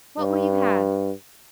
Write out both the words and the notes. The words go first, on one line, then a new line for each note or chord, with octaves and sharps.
What will you have?
G2